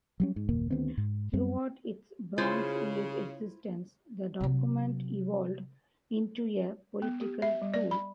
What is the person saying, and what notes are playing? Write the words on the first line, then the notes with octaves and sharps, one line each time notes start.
Throughout its Bronze Age existence, the document evolved into a political tool.
F#3 G3 C#4
G#2
F#1 D#2 A#2 A#3
D2 D#3 B3 C4
G#2
F#2 G3 C4
C#3 E4 F4 C5
C3 F#3
B3
G4
E5
G3
D5
B5